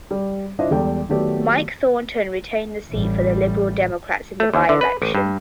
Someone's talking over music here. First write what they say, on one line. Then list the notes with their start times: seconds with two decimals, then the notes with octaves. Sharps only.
Mike Thornton retained the seat for the Liberal Democrats in the by-election.
0.11 G3
0.59 D4 E4 F4 C5 D#5 E5
0.71 E2 G3 G#3 A4 G5
1.09 D#3 F#3 A3 B3 G4 D5
2.91 A1 G3
4.40 A3
4.53 D#2
4.69 D3
4.81 B4
5.02 A1
5.14 G2